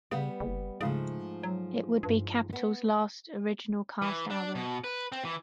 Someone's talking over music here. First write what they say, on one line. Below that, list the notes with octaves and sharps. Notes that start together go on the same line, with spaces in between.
It would be Capitol's last original cast album.
C#3 G3 B3
F#1
G#2 C#3 F3 A3
F#3
G2
B3
E3
D4
B2
B4
C4
E3